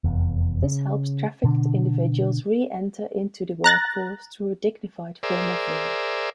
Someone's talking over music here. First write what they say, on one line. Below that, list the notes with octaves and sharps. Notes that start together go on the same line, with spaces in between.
This helps trafficked individuals re-enter into the workforce through a dignified form of work.
F1 E2
C#3
B2 D3 D4
A#5 F#6 A6 A#6
G#4 A#4 C5 D5 E5